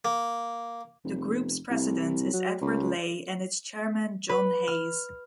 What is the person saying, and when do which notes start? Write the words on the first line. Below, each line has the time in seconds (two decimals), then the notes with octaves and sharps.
The Group's president is Edward Leigh and its chairman John Hayes.
0.05 A#3
1.04 F1
1.70 C2
2.33 F#3
2.61 C#2
4.29 B4
4.68 F6